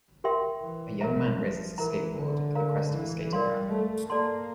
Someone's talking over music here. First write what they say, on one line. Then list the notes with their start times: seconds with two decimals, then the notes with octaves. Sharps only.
A young man raises his skateboard at the crest of a skating ramp.
0.24 G4 A#4 E5 G5 C6
0.62 E3
1.01 F3 A#4 E5 A#5
1.78 E3 A#4 E5 A#5
2.17 D3
2.55 A#4 F5 A#5
2.94 E3
3.33 G3 A#4 D5 F5 C6
3.71 A3
4.10 A#3 A4 D5 A5 C6